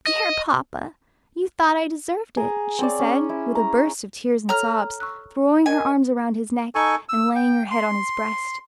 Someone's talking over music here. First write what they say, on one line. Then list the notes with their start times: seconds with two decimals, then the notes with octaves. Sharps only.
"Dear papa, you thought I deserved it," she said, with a burst of tears and sobs, throwing her arms around his neck, and laying her head on his breast.
0.07 D#5
2.37 G#4 A#5
2.79 C4 C#5 D5
2.99 C#4
3.29 E4
3.55 A#5
4.49 A4 C#5 A#5 F6
5.00 C#6 E6 F#6
5.66 A#4 D#5 G#5
6.75 D#4 A4 G#5 C#6
7.09 E6
7.36 G5
7.71 C6